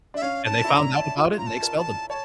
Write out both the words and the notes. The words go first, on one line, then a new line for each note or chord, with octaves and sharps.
And they found out about it, and they expelled him.
D4 E5
C#4 F5
A5
E4
D4 A#5
A5
F4
A#5
A5
A#4
A5
C#5 A5